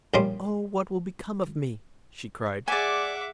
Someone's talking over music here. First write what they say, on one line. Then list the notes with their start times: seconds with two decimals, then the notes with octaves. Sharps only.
'Oh! what will become of me?' she cried.
0.14 A#1 G3 C#4 C6
2.68 G#4 D5 E5 F#5 G#5 D6